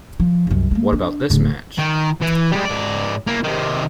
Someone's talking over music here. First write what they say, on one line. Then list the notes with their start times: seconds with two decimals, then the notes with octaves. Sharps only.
What about this match?
0.20 F3
0.47 C2 F#2
0.71 G#3 A#3
0.93 D4
1.30 D1 D3
1.78 D#3
2.21 E3
2.52 G3 G#3
2.65 G#2 D5
3.27 A#3 E4
3.44 C3 D#3